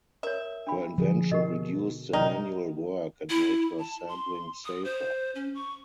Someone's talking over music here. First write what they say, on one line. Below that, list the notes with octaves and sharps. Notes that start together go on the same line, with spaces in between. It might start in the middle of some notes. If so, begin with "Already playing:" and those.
Her invention reduced the manual work and made the sampling safer.
A#4 C#5 E5
D4 B5
D3 F3 G#4
B2 G4 A4 A#4 D#5
C3 D#3 F#3 D#4 D5
E4
A5
C6
D#6
C5
C#4
C#6